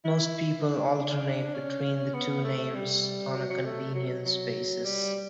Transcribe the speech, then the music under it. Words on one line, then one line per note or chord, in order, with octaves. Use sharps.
Most people alternate between the two names on a convenience basis.
E4
D4
C#4
B3
A3
G3
F#3
F#3
A3
F#3
F#3
G3